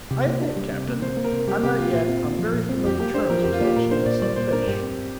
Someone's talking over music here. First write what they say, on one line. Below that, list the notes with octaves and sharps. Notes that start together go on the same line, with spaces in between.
"I admit, captain, I'm not yet on very familiar terms with that genus of fish."
C3 G4
A#3
D4
G3
C3
A#3
C3 C5
A#3
A#4
C3
G3 G4
C3 G4
A#3 F4
A#2 F4
C4
A#2
F3
A#2
C4
F2 G4
A#3 G4
D4 C5
F3 A#4
G4
F2
F4
A#3 G4
A#2 A#4
D4 C5
A#2 D5
G3 D5
A#2 C5
D4 A#4
G2 G4
C4